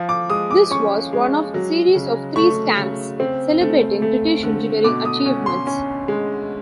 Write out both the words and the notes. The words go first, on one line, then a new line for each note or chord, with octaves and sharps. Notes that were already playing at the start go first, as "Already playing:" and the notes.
This was one of a series of three stamps celebrating British Engineering Achievements.
Already playing: F3
D6
G#3 D#6
D6
C#4 C#6
G#3
F#3
C#3
A3 C#6
C#3
C4
A3
A3
D3
B2 D6
D#6
C#4
C6
C#4
G#3